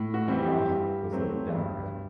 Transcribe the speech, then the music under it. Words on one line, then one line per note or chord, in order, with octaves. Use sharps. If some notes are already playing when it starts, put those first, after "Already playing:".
Murrah was a Democrat.
Already playing: A2
F#4
E3 G3 C4
G4
G2
F#3 A3 C4
G2